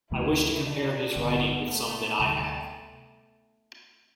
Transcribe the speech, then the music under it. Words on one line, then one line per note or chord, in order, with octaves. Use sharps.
I wish to compare his writing with some that I have.
D2 C3 E3 A3 E4
D4
A1 G2 D3 B3
A3
D2 C3 G3